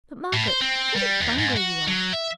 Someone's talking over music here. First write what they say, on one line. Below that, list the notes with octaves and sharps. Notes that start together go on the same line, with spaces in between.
But, Margaret, what a bungler you are!
A2
C5
C4
G3
D#2
G#2
F#4
F#3
E5